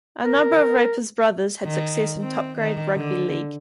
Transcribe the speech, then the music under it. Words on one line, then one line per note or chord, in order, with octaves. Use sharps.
A number of Raper's brothers had success in top-grade rugby league.
A#4
D#3
C4
D#3
D3